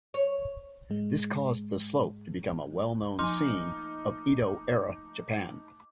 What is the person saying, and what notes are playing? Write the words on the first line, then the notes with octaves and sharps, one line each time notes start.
This caused the slope to become a well-known scene of Edo-era Japan.
C#5
G#2 G#3
F3 A#3 D#4 G#5 C6 D6 F6